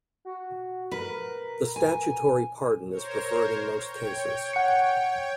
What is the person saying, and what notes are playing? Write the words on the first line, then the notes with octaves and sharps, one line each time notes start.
The statutory pardon is preferred in most cases.
F#4
A#4 B4
G#5
A#4 C5 C#5
C#5 G5
F#5 C#7